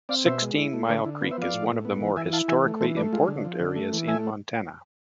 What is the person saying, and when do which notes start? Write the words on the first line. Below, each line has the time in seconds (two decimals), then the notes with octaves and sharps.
Sixteen-Mile Creek is one of the more historically important areas in Montana.
0.09 C4 D5 F5
0.25 B2 C5 E5
0.42 G#3
0.58 E4
0.73 A3
0.89 D3 B4 D5
1.05 D3 E4
1.21 B3 F4
1.31 C5 E5
1.38 F3 D5 F5
1.54 A2
1.70 A2
1.85 B3
2.01 E3
2.16 E3 E5 G#5
2.33 E4 F5 A5
2.48 E3 E5 G#5
2.64 A3
2.81 E3 A4 C5
2.97 A3 B4 D5
3.13 G#3 F4
3.28 D3
3.45 F3
3.60 D3
3.76 A3
3.93 E3
4.08 A3 E5 G#5